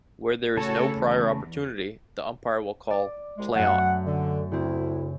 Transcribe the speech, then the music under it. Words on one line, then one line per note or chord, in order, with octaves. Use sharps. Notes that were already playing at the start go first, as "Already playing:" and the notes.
Where there is no prior opportunity, the umpire will call "play on".
C#3 A3 F#4 A4 C#5 A5
E2
D5
C2 G#3
F#2 A3 F#5
D3
D2 C#3 C4 E4